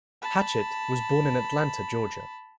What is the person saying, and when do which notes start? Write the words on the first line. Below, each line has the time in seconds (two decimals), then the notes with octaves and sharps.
Hatchett was born in Atlanta, Georgia.
0.22 A5 B5